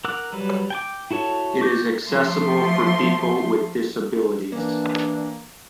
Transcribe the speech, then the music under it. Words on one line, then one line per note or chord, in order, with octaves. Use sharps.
It is accessible for people with disabilities.
A#4 F#5 D6 E6 F#6
F#3 G3 B4
G5 G#5 D6
E4 F#4 A4 C#5 A5
C#6 D6 G6
F3 A3 C6
E3 A#3 D4